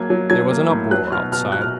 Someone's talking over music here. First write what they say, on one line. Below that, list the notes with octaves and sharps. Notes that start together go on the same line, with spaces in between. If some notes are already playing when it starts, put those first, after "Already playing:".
There was an uproar outside.
Already playing: F#3 A#3 G#6
F#3
F#3 G#6
A#3
A2
F#3 F#6
B2 F6
B2 F6
B2 F#6
F6